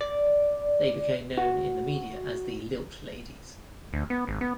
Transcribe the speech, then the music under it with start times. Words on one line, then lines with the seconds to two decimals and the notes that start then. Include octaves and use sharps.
They became known in the media as the "Lilt Ladies".
0.01 D5
1.37 F#4
3.93 D2
4.10 B3
4.27 G#1
4.41 B3